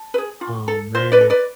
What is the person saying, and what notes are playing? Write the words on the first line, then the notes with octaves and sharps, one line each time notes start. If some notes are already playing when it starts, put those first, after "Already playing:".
Oh, man.
Already playing: A5
B4
G#4
F4
A4
F4 C5
B4 D5
A4
B4 D5